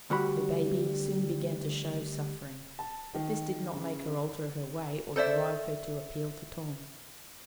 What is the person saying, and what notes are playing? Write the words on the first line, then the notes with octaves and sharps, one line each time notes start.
Her baby soon began to show suffering, but this did not make her alter her way, or drive her to appeal to Tom.
D2 G3 F#4 B5
A5
D#3
C#3
A4 C5 D5 E5